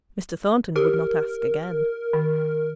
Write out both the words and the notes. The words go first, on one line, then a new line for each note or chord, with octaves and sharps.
Mr. Thornton would not ask again.
G4 A#4
D#3